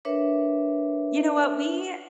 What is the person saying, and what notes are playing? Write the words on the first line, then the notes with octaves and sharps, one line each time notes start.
You know what? We,
D4 A#4 B4 C#5 E5